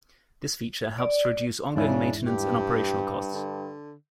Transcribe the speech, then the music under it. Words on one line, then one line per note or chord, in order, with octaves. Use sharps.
This feature helps to reduce on-going maintenance and operational costs.
D5
E2 G#2 C#3 D4 E4
G2 G4
D3